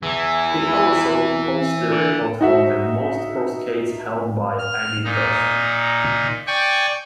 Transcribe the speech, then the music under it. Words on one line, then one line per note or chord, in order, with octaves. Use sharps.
He also holds the record for the most pro skates held by any person.
E2 E3
D3
D#4 F#4 E5
F6
A#2 D#4
D5 G5 G#5 C#6